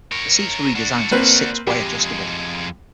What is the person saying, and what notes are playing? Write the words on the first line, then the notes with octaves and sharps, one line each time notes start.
The seats were redesigned to be six-way adjustable.
A#4 C#5
D4 F#4
A#3 C4 B4
F2 G#3 G4